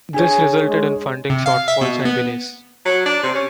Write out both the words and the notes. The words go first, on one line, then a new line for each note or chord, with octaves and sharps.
This resulted in funding shortfalls and delays.
D4 G#4 C#5 G#5
G#3
C3
F5
E5
B2
B3
F#3
D4
C3
C#4